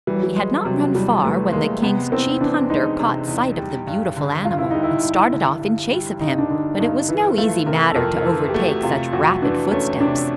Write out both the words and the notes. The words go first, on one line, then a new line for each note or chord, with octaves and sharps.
He had not run far when the king's chief hunter caught sight of the beautiful animal, and started off in chase of him; but it was no easy matter to overtake such rapid footsteps.
E3 G3
F#3
G3
G#3
C3 F#3
F#3
E2 G3
E3 A3
G#3 A#3
C3 B3
E2 C4
E3 D4
G#3 D#4
C3
E2
G3
G2
D3
G2 F4
E4
G3 D#4
E4
G2
D3
G2
G3
G2 D#4
D4
D3 D#4
G2 D#4
E3 E4
A3 F4
C3 A#4
A4
F2 A#4
A#4
E3 A4
G4
A3 F#4
C3 F4
F2 F#4
E3 D4
A3 C#4
C3 D4